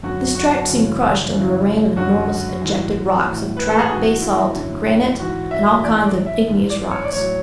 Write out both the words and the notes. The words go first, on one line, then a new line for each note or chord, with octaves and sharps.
This tract seemed crushed under a rain of enormous ejected rocks of trap, basalt, granite, and all kinds of igneous rocks.
F#2 D3 F#3 F#4
F#4
F#2 C#3 E3
F#2 C#3 E3
F#2 D3 F#3 F#4
G#2 E3
A2 E3
B4
A4
G#4
G#2 E3 F#4
E4
F#2 D3 F#3
G#2 E3 F#4
E5
G#2 E3 D5
D5
E5
G#2 E3
D5
C#5
D5
A2 F#3 C#5